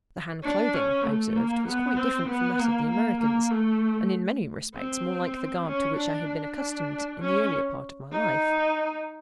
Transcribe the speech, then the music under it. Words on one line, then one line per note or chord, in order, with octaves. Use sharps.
The Han clothing, I observed, was quite different from that of the Americans, and in many respects more like the garb to which I had been accustomed in the earlier part of my life.
D4
C#4
A3
A#3
B3
C4
B3
A#3
A#3
A#3
A3
C4
C#4
D4
D4
C#4
D#4